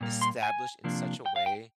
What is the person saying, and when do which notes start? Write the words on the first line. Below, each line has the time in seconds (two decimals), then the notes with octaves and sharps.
established in such a way
0.01 A#2 G3 A#3
0.21 C6
0.43 G#5
0.84 C3 F3 A#3 D4
1.26 G5
1.36 F5
1.46 G5